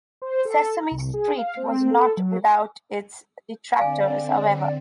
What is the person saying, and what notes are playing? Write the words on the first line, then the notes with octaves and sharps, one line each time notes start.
"Sesame Street" was not without its detractors, however.
C5
A4
A#5
C2
G#4
F5
C4
A4
F#3
D3 C4 D5 F5 G#5